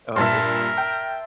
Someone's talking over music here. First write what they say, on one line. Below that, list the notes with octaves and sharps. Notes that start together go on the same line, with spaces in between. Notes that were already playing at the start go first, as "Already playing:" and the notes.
Oh, ye
G2 A#2 A#4 E5 A5 C6
G5